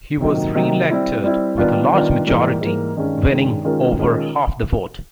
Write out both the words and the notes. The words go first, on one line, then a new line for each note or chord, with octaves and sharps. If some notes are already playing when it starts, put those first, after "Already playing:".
He was re-elected with a large majority, winning over half the vote.
C3 D#3 F#3 A#3 D#4
C3 D#3 F#3 A#3 D#4
G3 C4 E4
G3 C4 E4
D#3 G3 B3 D4 F4
D#3 G3 B3 D4 F4
G#2 E3 G3 A#3
G#2 E3 G3 A#3
G2 D#3 G#3 C#4
G2 D#3 G#3 C#4
D#3 G#3 C#4 F4 A#4
D#3 G#3 C#4 F4 A#4